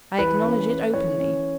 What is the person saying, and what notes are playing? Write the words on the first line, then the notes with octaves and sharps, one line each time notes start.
I acknowledge it openly.
E3 B4
C#4
C#4
E3 C#5
C#4